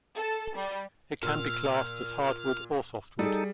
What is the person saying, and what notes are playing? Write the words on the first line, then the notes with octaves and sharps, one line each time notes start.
It can be classed as hardwood or softwood.
A4
G3
A#2 E6 F6
G3 D#4 G#4 A4